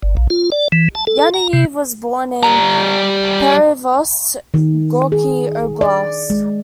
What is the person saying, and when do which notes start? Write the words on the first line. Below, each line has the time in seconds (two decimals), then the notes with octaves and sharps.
Yanayev was born in Perevoz, Gorky Oblast.
0.03 G1
0.17 A#1
0.30 F4
0.52 D5
0.72 E3
0.95 A5
1.07 A4
1.19 A4
1.34 A#5
1.53 C3
2.43 G3 A#5
4.54 D#3
5.12 G#4
5.81 D5
6.30 G#3